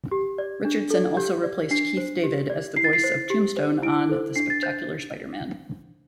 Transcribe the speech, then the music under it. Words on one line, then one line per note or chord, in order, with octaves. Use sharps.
Richardson also replaced Keith David as the voice of Tombstone on "The Spectacular Spider-Man".
G4
D5
D4
A4 D5
G4 G6
D5
D4 C7
C5
G4
D5
E4 C7
A6
C7
C5
G4
C5
E4 D7
A4 C5
D4 C7
A6
C5 G6